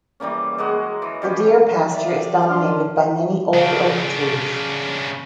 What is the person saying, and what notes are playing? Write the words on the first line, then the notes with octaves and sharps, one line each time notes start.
The deer pasture is dominated by many old oak trees.
E3 G3 A#3 C#4
G#3 A#3 F#4
E3
G3 C#4 G4
C4 G4 D5 E5
C#4 D4 C6 D6 F6
C#3 D4